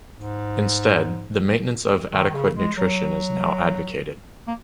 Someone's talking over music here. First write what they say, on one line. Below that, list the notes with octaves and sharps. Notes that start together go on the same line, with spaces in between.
Instead, the maintenance of adequate nutrition is now advocated.
G#2
D#3
D#3
C#3
G#3
F#3
A#3